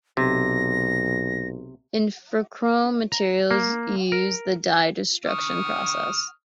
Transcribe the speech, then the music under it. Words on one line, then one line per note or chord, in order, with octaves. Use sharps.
Ilfochrome materials use the dye destruction process.
B1 C3 A#6
A#5
A#3
A#4
C#6 D#6 F6